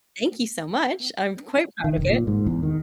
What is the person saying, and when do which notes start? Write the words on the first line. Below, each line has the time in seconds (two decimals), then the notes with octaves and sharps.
thank you so much, I'm quite proud of it.
1.84 D#3
1.97 F1
2.10 A#2
2.27 G#2
2.46 E2
2.63 D#3